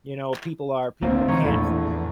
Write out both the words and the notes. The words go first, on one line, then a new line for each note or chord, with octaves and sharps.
you know, people are, people can't
D2 A#3 C4 C5 F5
C3 E3 D#4 C#5
A#1 E2 A2 A4